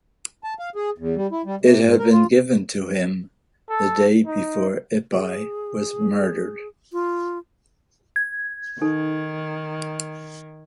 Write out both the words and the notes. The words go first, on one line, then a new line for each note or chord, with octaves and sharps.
It had been given to him the day before Ippei was murdered.
A5
F5
G#4
E2
G3
E4
G3
C3
G#2
A#4
F4
A4
D#4
G#4
F4
G#6
D#3 D#4 A4